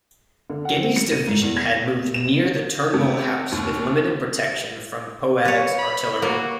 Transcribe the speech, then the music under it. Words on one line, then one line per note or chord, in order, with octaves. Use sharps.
Getty's division had moved near the Turnbull House with limited protection from Poague's artillery.
D3
F#5
C4
C#7
D#7
G#2
E2
G#6
E7
C3
D#2
B4 C#5
B5
A#3 F#4